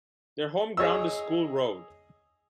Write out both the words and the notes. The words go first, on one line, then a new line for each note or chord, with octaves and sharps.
Their home ground is School Road.
G#4 C#5 D#5 E6